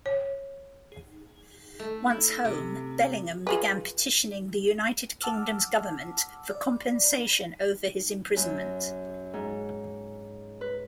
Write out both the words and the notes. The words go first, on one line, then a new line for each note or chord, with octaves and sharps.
Once home, Bellingham began petitioning the United Kingdom's government for compensation over his imprisonment.
C#5
A3
E4
C3
F4 G#4 B4
F#5 A5 D6 E6 F6
D5
F#2
G#2
B4